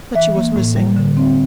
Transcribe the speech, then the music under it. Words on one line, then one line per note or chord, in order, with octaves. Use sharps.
But she was missing.
E3 E5
A#3
A2
G3
D3
C4